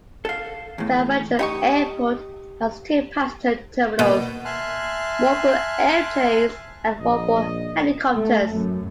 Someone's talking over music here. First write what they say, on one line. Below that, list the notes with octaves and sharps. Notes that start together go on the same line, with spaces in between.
Stavanger Airport has two passenger terminals, one for airplanes and one for helicopters.
A4 F5
E2 A2
D#4 G4 G5 C#6 D#6 C#7
B2 A#3 F#5
E5 G#5 A5 C6 F6 F#6
A#1 D#5
A3
F#2